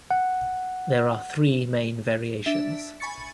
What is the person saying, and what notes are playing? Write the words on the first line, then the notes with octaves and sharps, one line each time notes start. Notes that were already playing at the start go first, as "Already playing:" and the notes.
There are three main variations.
F#5
D4 E5
G#5 B5 C#6 A6 C#7